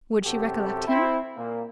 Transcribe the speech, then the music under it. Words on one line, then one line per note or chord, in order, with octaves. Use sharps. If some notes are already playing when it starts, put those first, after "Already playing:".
Would she recollect him?
F#2 C3 F#4 G4 A4
C4 E4
A#2 A#3